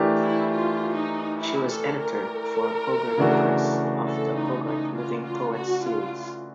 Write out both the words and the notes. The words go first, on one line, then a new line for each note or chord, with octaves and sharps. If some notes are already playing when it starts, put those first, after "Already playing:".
She was editor for Hogarth Press of the Hogarth Living Poets series.
Already playing: E3 A3 D4 G4 A#4
E4
F4
D#4
E4
A4
A#4
C#3 E3 A3 D4 F#4
A4
D#4
D#4
F4
F4
F#4
F4